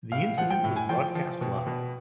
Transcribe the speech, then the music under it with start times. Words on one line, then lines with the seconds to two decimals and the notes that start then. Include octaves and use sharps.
The incident was broadcast live.
0.12 A2 F5
0.38 F3 F#5
0.50 G5
0.64 A2
0.76 G#5
0.89 F3 G5
1.15 F3
1.41 B2
1.67 B2